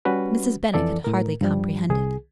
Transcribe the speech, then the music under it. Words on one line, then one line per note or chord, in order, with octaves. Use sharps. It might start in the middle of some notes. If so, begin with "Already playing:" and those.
Mrs. Bennet could hardly comprehend it.
G3 C#4 F#4 B4
F2 E3 A4 D5
A2 A#4
G2 F3 G3
C2 G#4